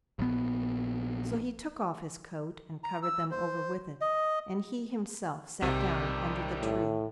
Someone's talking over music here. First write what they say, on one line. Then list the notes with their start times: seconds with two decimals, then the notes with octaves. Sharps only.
So he took off his coat and covered them over with it, and he himself sat down under the tree.
0.19 A#1 B3
2.84 A#5
3.03 E6
3.31 C5
4.01 D#5
5.62 B1 C3 D#3 G3
6.60 A2